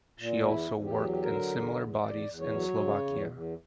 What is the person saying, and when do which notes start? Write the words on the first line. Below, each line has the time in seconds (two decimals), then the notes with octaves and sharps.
She also worked in similar bodies in Slovakia.
0.19 A#2
0.45 E2 E4
0.71 E2
0.84 G4
0.97 F#3
1.12 G4
1.22 D3 A#4
1.50 E2
1.75 E2
2.01 E2 D5
2.27 E2
2.40 C#5
2.53 F#3
2.79 C#3
3.05 E2
3.31 E2